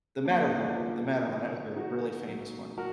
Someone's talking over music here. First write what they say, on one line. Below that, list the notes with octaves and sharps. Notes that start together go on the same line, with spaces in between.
The Matterhorn. The Matterhorn, that was the other really famous one.
D3 F#3 A#3 D4
B3 D#4
D4 F4
A#3
B3
D3 F3
D#4 F#4
A#2 F#3
F#4 A#4